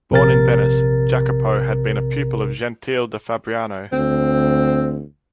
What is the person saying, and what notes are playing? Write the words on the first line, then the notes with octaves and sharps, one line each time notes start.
Born in Venice, Jacopo had been a pupil of Gentile da Fabriano.
A#1 C3 A#4 A6
D2 C4